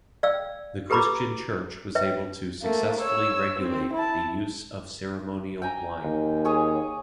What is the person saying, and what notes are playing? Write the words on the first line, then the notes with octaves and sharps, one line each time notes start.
The Christian Church was able to successfully regulate the use of ceremonial wine.
D5 F5 G5 E6
G4 A4 B4 A#5 B5 D6
B4 C#5 E5 G5
A3 A#3
C#5 E6
C4
E4 A5
G5 G#5 A#5
D#2
G#4 C#5 G#5